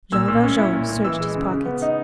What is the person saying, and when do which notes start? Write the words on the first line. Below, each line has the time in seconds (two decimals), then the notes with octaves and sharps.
Jean Valjean searched his pockets.
0.12 A#2 E6
0.28 A#2
0.43 C#4
0.58 E4
0.73 A#2
0.89 A#2
1.04 E3 E6
1.20 G#3
1.35 C#3
1.50 C#3
1.66 B3
1.82 D#4